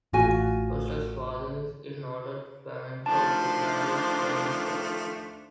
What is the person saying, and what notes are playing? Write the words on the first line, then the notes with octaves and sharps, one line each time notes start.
Koster's father is noted flamenco guitarist, Dennis Koster.
A1 F4 F#4 G#5
D#3 F3 A3 D4 C5 A5